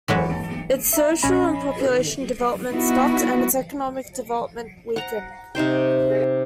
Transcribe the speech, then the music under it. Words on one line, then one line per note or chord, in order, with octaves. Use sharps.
Its social and population development stopped, and its economic development weakened.
E3 F#3 G#3 B4
E5 A#5
A#1 C#4 D#5 G#5 B5 A#6
B3 D#4 E4 F#4
F#5 A#5
C3 D#4 C5 G5